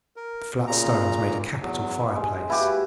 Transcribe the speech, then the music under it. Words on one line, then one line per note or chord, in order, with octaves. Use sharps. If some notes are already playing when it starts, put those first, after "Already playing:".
The flat stones made a capital fireplace.
A#4
A#2 C#3 A#5
E2 F#3
G2 G#3
E4 F#4 G4 B4